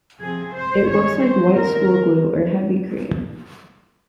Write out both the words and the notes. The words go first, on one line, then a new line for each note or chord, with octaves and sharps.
It looks like white school glue or heavy cream.
C3 F3 C4 G#4
C5
D#3 G3 C#4 C#5
C5
D#3 G#3 C4 A#4